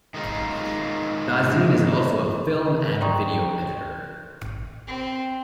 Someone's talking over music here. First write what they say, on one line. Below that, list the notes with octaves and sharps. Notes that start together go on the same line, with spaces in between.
Bazin is also a film and video editor.
D#3 G#3 D#4 F4
D5 G5 A#5 C6 C#6 D#6
C4